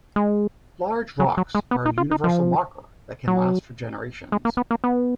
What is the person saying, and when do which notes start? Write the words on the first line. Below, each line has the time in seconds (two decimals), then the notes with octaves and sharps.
Large rocks are a universal marker that can last for generations.
0.16 G#3
1.20 F#3
1.37 F#3
1.55 G#3
1.71 B3
1.86 D#4
1.98 F4
2.11 D#4
2.24 F3
3.28 F#3
4.32 G#3
4.45 A#3
4.57 B3
4.71 A#3
4.84 B3